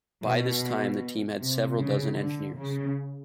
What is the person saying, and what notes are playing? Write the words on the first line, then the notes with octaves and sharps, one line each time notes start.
By this time, the team had several dozen engineers.
B2
C3
C#3
D3
C#3